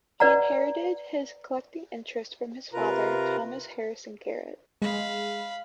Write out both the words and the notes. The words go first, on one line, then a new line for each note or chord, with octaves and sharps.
He inherited his collecting interest from his father, Thomas Harrison Garrett.
B4 D5 F#5 A#5
C3 F4 A#4 B4 A#5
G#3 F5 B5